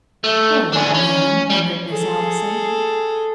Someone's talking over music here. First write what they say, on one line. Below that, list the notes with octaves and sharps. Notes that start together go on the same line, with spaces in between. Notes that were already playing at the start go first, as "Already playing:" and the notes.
"Poor little lamb," murmured Miss Allison.
A3
D4 G#4
C#4
G3
G#4 A4